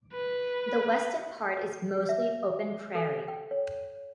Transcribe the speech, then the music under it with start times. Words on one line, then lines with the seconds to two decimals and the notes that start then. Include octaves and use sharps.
The western part is mostly open prairie.
0.13 B4
2.09 E5
2.95 A4
3.28 G5
3.51 C#5